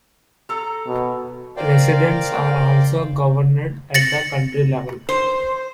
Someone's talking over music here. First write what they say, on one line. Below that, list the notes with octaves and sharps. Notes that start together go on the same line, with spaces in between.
Residents are also governed at the county level.
A4 A#5
B2
A#4 C5 D5 F5 G5
A6 A#6 C#7 F#7
C5